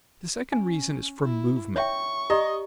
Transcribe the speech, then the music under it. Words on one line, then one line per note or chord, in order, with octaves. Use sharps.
The second reason is from movement.
C#4 G#5
E4
C#5 E5 G5 C#6
G4 D5 D#5 A#5